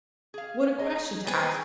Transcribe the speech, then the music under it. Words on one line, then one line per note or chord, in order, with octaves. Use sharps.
What a question to ask!
G#4 F5
G#4 D#5
C4 G#4 B4 C#5 A#5